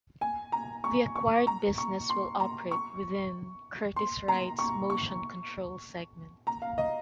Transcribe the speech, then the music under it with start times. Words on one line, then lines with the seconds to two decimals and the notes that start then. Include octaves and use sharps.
The acquired business will operate within Curtiss-Wright's Motion Control segment.
0.21 G#5
0.52 A#5
0.84 C#6
1.16 C#6
1.47 A#5
1.78 C#6
2.10 C6
2.40 A#5
2.71 C#6
3.96 C6
4.28 A#5
4.59 C#6
4.90 C#6
6.47 A#5
6.62 F5
6.78 D#5